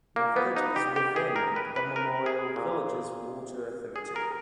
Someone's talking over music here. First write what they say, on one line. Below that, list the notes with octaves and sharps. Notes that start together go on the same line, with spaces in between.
The village is within the Memorial Villages Water Authority.
A#2 A#3
B3
D#4
G4
G4
G#4
A#4
B4
B4
A#4
G#4
A#2
G#4
A#4